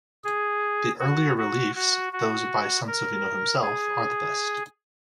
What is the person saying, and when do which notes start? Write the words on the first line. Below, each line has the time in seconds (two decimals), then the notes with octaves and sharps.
The earlier reliefs, those by Sansovino himself, are the best.
0.24 G#4
0.99 F#4
1.38 F#4
1.75 F#4
2.13 F#4
2.87 A#4
3.62 G#4